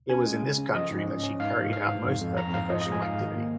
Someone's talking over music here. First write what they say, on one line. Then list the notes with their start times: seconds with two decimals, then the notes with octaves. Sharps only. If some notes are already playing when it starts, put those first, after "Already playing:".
It was in this country that she carried out most of her professional activity.
0.10 C#4 G#5
0.26 G#3
0.42 C#3
0.58 C#4
0.75 F3 D#5
0.91 G#2
1.08 C#4
1.23 C#4
1.40 G#2 F5
1.56 G#2
1.72 G#2 F5
1.89 G#2
2.05 F2
2.21 F2
2.37 F3 A#5
2.54 G#2 F5
2.70 F3 D#5
2.81 G#3 D#5
2.92 G#5
3.02 G#2 F5
3.19 D#3
3.35 A#3